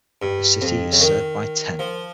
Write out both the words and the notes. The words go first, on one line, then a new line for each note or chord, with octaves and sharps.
The city is served by Ten.
G2
F2
C#3
D#3
F3